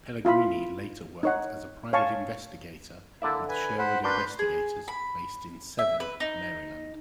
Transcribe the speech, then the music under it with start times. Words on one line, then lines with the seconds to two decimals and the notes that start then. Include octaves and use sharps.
Pellegrini later worked as a private investigator with Sherwood Investigators based in Severn, Maryland.
0.25 E4 F4 F5 B5
1.23 D#4 C#5 F#5
1.93 C#5 F5 G#5 A5 C#6
3.22 D3 A#3 E4 D5 E5
3.48 B4 G#5
3.78 C5 F#5 B5
4.04 D4 F#4 A#4 B4 C6 G6
4.39 G#4
4.88 B5
5.79 E5
6.00 B4
6.20 D#4